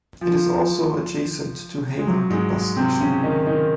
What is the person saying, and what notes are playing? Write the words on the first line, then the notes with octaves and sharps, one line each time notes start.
It is also adjacent to Haymarket bus station.
F3
G#3
F#3
G#2 G#3
C3 C4
C#3 C#4
D#3 D#4
D#3 D#4